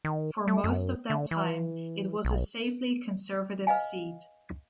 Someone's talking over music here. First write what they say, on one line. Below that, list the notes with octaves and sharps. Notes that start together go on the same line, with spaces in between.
For most of that time, it was a safely conservative seat.
D#3
A3
F#2
D3
E3
B1
B4 D#5 F5 G#5